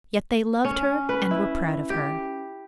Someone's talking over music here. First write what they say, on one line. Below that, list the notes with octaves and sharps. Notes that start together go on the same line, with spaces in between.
Yet they loved her and were proud of her.
C#4
B4
E4
G4